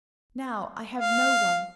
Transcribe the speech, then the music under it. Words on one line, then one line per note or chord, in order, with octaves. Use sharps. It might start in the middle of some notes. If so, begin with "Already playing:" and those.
Now I have no one.
F5